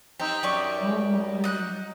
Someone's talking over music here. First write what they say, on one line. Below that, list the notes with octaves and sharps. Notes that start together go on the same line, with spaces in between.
Oh my.
C4 D#4 G4
F#2 G4 D5 C#6
D#4 F#6